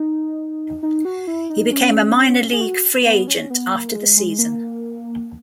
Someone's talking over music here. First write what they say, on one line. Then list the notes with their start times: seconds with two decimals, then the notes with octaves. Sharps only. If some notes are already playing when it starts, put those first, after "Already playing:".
He became a minor league free agent after the season.
Already playing: D#4
0.83 D#4
1.05 F#4
1.27 E4
1.50 D#4
1.72 C#4
2.53 G#4
2.61 F#4
3.06 B3
3.28 C#4
3.50 B3
3.73 A#3
3.94 G#3
4.17 G#3
4.39 A#3